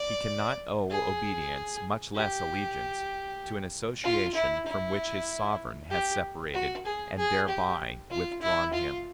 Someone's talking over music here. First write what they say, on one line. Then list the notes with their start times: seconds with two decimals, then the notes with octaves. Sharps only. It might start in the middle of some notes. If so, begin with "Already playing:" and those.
He can not owe obedience--much less allegiance--to an association from which his sovereign has separated, and thereby withdrawn him.
Already playing: D5
0.90 G#4
2.15 G4
4.04 F4
4.35 E4
4.66 E4
5.91 G4
6.53 F#4
6.86 G#4
7.17 G#4
7.48 G4
8.10 F4
8.41 E4
8.73 F4